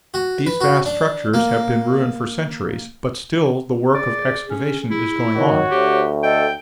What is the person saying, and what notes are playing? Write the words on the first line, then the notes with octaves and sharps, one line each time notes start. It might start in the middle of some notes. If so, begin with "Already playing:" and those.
These vast structures have been ruined for centuries, but still the work of excavation is going on.
F#4
B4
F#4
D4
A#3
G#4 D5
C#4
E4
D#3 F#4 C#5
D2 G4
A4 D#5 G5